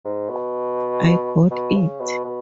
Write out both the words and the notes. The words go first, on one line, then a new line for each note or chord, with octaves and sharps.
I got it!
G#2
B2
B2
C#3
B2
B2